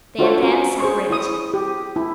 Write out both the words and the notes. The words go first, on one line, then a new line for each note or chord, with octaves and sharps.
They had then separated.
D4 F4 F#4 A4 C5 C#5
C#4
G#4 C5 C#6
E4 C#5 D#6
G4
E4